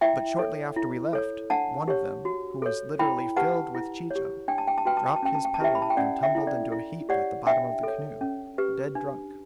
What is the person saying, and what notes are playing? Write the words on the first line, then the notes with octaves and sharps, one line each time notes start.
But shortly after we left, one of them, who was literally filled with chicha, dropped his paddle and tumbled into a heap at the bottom of the canoe, dead drunk.
E4 E5 G5
A4 C#5
E4
A4 C#5
D4 F#5 A5
G4 C#5
F#4
A4 C#5
E4 G5 B5
G4 B4 F#5 A5
E4
C#5
G4
D4 G5
A5
G5
A5
F#4 B4 G5
A5
G5
A5
C#4 G5
A5
G5
A5
E4 G4 B4 E5 G5
B5
A5
G5
C#4 D5 F#5
E5 G5
E4 A4
D5
E4
G4 C#5 D5 F#5
D4 E5 G5
A4 C#5
C#4
G4 B4
D4